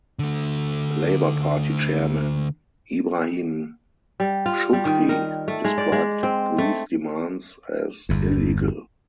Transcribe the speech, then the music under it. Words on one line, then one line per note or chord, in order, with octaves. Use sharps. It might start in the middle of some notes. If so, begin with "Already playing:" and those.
Labor Party chairman Ibrahim Shoukry described these demands as illegal.
D3 A3
G3
F4
G3
D#3
A#4
A3
G#3
D5
G#3
C4
A3
G1 E2